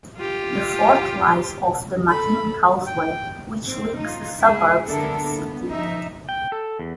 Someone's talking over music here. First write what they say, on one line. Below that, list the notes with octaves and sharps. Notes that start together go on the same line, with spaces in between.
The fort lies off the Mahim Causeway which links the suburbs to the city.
F4 G4
A4 B5
G5
C4
D#4 F4
G#3 E4 G#4
D3 B3 D4 E4 A4 A#4
B3
F3 D#4 E5
G5
A4
E2